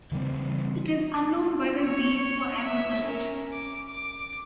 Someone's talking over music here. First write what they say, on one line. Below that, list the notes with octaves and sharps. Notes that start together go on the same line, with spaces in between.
It is unknown whether these were ever built.
C#3 E3 G3 C4
C#5 C#6
E5
C#4 A#4
D6
D6